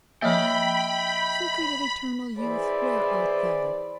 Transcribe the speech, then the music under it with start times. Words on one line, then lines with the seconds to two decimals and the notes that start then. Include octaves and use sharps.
Secret of eternal youth--where art thou?
0.22 F3 A#3 C#5 D#5 E5 G5 B5
2.39 E3 G#4 C5 D5 B5